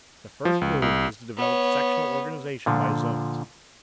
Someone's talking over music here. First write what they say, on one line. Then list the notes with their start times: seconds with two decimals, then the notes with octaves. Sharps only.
The first move is to develop sectional organization by Zones.
0.45 F3
0.61 C#2
0.82 C2
1.37 B3 C#5
2.66 A#2 D3 F3